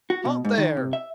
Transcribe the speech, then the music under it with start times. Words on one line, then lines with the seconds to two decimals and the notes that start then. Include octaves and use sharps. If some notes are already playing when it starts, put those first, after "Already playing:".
"Halt there!"
0.10 F#4
0.25 B2
0.45 G#2
0.58 D#3
0.77 C3
0.93 E5